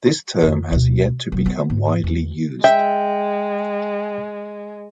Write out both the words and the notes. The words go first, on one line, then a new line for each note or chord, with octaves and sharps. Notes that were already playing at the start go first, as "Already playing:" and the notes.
This term has yet to become widely used.
F2 D#3
D2 B2
E1 F#3
B3
G#2
E2 G#3
G#3 E5 G5